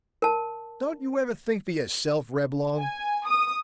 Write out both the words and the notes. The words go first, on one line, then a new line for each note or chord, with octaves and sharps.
Don't you ever think for yourself, Reblong?
A#4 A5
G#5
D#6